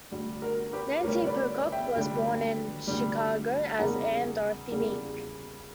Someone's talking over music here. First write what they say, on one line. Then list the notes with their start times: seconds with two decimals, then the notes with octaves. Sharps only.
Nancy Pocock was born in Chicago as Anne Dorothy Meek.
0.12 D2 D3 G3 F#4
0.42 F#4 A#4
0.73 G4 B4
1.03 D2 D3 G3 A#4 C#5
1.27 B4 D5
1.72 E5 G5
1.95 D2 D3 G3
2.87 D2 D3 G3
3.79 E2 C#3 G3 A#3 F#5 A#5
4.70 E2 C#3 G3 A#3